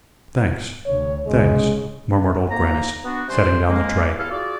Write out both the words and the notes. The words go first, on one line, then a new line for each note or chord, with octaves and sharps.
"Thanks, thanks," murmured Old Grannis, setting down the tray.
D2 C#5
C2 G#2 C#3 G#3
F2 A#3 D#4 A#5
B3 D4 F#4
C3 G3 C#4 D4 C5
G#3 A#3
E2 E4 G4 A4 F5
F4 F#4 G#4 D5